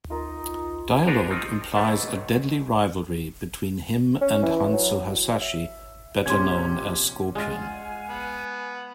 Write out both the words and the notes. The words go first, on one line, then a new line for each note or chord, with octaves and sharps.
Dialogue implies a deadly rivalry between him and Hanzo Hasashi, better known as Scorpion.
D#4 F4 A#4
D4 D#4 G4 G#4 A#4 C#5
D#3 F3 C4 D#4
B1 G#2 B2 D#3 A3
C#4
E3
F#3
E5
A#1 C3 C#4 G4 C6 G#6
G#3 F4 F5 F#5 G#5
B3